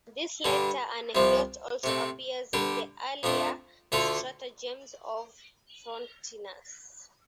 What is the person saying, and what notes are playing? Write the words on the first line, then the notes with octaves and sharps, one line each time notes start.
This latter anecdote also appears in the earlier "Stratagems" of Frontinus.
G2 D3 G3 D4
C2 C3 F3 C4
C3 A3 C4
D3 G3 D4 G4
F2 F3 A3 D4
D2 D3 A3 F4 A4